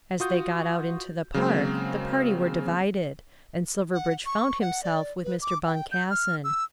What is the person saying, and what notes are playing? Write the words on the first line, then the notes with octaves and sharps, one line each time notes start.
As they got out into the park the party were divided, and Silverbridge found himself with Mr. Boncassen.
F4 F#4 D#6 G6
C#3 F#3 G#3 A#3 C4
F#5
C#6
F#5
D5
B4
D6
G5
G6
F6
E6